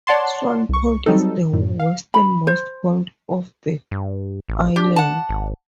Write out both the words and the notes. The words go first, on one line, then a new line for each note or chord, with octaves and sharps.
Swan Point is the westernmost point of the island.
C#5 D5 F#5 A5 C6
C2 C#6
F#3 G3 C4 D#4 A4
F#2 A2
F5
B5
C5
G2
A1
D4 G4
F#5 A5
G#1